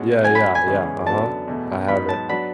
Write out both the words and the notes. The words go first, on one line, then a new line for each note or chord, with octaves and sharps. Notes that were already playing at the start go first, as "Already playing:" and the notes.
Yeah, yeah, yeah, uh-huh. I have it
Already playing: B2 G#3 C#4 F#4
A2 F#3 C#4 F#4 G#5
B5
G#5
E2 C#3 E3 G#3 C#4
F#2 D3 F#3 B3 D4 A5
E2 B2 A3
G#2 F#3 B3 B5
A5
F#3 B3 D4 F#4 B5